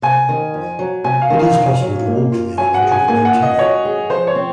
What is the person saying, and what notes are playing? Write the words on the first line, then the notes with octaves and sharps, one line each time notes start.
It is possible to walk to the island during low tide.
C3 G#5
D#3
F2
F#3
C3 G#5
F5
D#3
F5
F2
F#3
A#3
F4
F#3 G#5
F#5
G#4
G#5
A#3 G#5
F#5
F4
D#5
F#3 C#5
G#4
F3 C5
C#5
C4